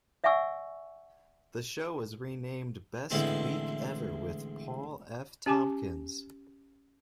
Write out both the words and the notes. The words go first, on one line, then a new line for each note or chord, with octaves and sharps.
The show was renamed "Best Week Ever With Paul F. Tompkins".
D5 E5 F#5 G#5 C#6 E6
A1 D3 E3 G#3 C4 A5
C#4 G4 G#5 A5 D6